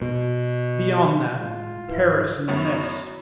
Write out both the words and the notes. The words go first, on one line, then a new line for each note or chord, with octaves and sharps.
Beyond that, Paris in the mist!
B2
A2 G#3 F4
C#2 G#2 E4 F#4 B4
F#2 B3 E4 C#5